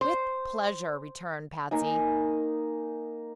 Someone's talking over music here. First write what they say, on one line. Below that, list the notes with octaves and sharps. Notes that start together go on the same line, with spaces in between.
"With pleasure," returned Patsy.
C5
A#3 D#4 G#5